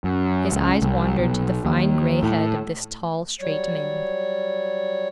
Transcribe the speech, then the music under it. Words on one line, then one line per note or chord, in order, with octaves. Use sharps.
His eyes wandered to the fine gray head of this tall, straight man.
F#2
C#2
C2
B1
D#2
A2
F#3 G3 C#5